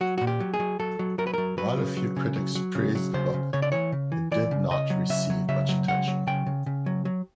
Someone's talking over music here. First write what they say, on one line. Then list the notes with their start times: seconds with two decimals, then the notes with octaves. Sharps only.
While a few critics praised the book, it did not receive much attention.
0.01 F#3 F#4
0.18 A#2 F#4
0.27 G4
0.40 F#3
0.54 G#4
0.60 F#3
0.79 F#3 A4
0.99 F#3
1.18 F#3 A#4
1.27 B4
1.34 F#3 A#4
1.58 F#3 B4
1.77 C#3
1.97 F#3
2.16 C#3
2.36 F#3
2.55 F#3
2.75 C#3
2.95 F#3
3.14 C#3 C5
3.34 C#3
3.53 C#3 C#5
3.62 D5
3.72 E3 C#5
3.92 C#3
4.12 E3
4.31 E3 D5
4.51 C#3
4.71 C#3 D#5
4.90 F#3
5.09 C#3 E5
5.30 F#3
5.48 C#3 E5
5.69 F#3
5.88 C#3 F#5
6.08 F#3
6.27 C#3 G5
6.47 C#3
6.66 C#3
6.86 F#3
7.05 F#3